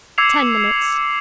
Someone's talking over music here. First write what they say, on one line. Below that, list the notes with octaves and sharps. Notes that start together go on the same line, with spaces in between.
Ten minutes.
D6 E6 G#6 C7 C#7 F7